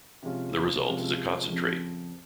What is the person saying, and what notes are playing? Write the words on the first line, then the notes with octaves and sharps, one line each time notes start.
The result is a concentrate.
C3 F3 G#3 C#4 F4
C3 F3 G#3 C#4 F4
F2 C#3 F3 C4